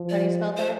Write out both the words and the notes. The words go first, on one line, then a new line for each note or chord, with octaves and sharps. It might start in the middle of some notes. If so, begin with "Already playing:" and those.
How do you spell that?
Already playing: F3
D5
C5